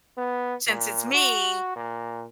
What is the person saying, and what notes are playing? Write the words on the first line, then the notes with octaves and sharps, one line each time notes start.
since it's me,
B3
A#2
F#4
A#2